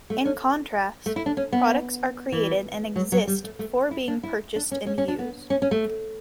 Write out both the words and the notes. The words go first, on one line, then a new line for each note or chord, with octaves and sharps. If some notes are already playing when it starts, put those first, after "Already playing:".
In contrast, products are created and "exist" before being purchased and used.
A3
C#4
A3
E4
D4
C#4
B3
E3
F#3
F#3
G3
A3
A3
E4
D4
E4
D4
C#4
C#4
C#4
D4
B3
C#4
C#4
A3